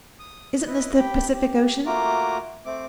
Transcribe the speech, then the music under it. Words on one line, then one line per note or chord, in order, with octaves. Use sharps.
"Isn't this the Pacific Ocean?"
D#6
E4 B4 D#5
G4 G5 B5
G4
A3 A#3 F4 F#4 A#5 D6
A3 C4 D6